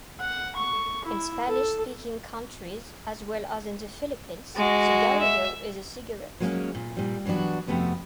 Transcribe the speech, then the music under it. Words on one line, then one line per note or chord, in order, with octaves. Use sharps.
In Spanish-speaking countries, as well as in the Philippines, "cigarrillo" is a cigarette.
F#5
C#6
E4
A4
G#3 F#4
E5
F#3 G#3 A#3 C4 C#4
A#2
A#2 G3
E3 F#3 B3 D4 F#4
F2 A2 C3 A3 B3 F#4